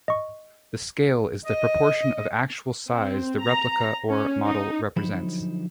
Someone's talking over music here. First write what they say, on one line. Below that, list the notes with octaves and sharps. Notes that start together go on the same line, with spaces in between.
The 'scale' is the proportion of actual size the replica or model represents.
D#5 C#6
D#5
C4
A#5
C#4
D#4
D3 F3 F#3 D#4 C5 B5